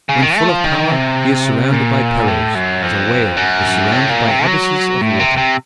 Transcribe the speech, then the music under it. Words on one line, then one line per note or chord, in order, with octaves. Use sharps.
When full of power, he is surrounded by perils, as a whale is surrounded by abysses of water.
C#3
D#3
A3
F3
D#3
C3
A#2
A2
F#2
F2
F#2
A2
A#2
C3
F#3
A2
C3
C3